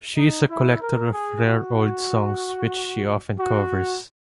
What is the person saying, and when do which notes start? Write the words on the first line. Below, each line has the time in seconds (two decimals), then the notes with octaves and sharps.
She is a collector of rare old songs which she often covers.
0.15 D#4
0.47 E4
0.79 A#4
1.11 G#4
1.44 F#4
3.37 F#4